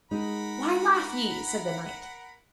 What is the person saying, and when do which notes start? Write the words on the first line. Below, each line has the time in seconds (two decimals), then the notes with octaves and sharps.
Why laugh ye? said the knight.
0.11 G#3 D#4 A#4 F#5 B5